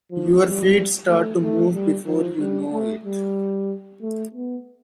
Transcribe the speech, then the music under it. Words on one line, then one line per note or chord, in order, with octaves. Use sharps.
Your feet start to move before you know it.
F3
G3
A3
A3
G3
F3
G3
A3
G3
A3
B3